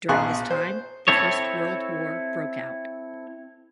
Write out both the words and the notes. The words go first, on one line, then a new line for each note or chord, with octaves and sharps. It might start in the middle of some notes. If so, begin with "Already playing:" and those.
During this time the First World War broke out.
A#1 B2 G#4 C6 C#6 F#6
C5
C4 E4 A4 C#5